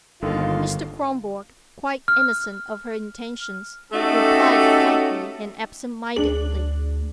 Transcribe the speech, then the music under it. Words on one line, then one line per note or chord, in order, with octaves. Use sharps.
Mr. Kronborg, quite innocent of her intentions, replied kindly and absent-mindedly.
G1 D3 D#3 A#3 F4 A4
F6
A3 C#4 D#4 F#4 G4 A4
D2 D4 G#4 F#7